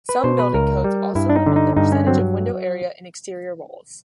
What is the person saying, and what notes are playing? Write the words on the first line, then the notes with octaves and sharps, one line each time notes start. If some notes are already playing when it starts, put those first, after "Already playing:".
Some building codes also limit the percentage of window area in exterior walls.
B4
B2 C5
B4
C#2 A#4
G3
G2 E4
D4
D#4
D3
D#4
G2 D#4
C#4
F#3 C4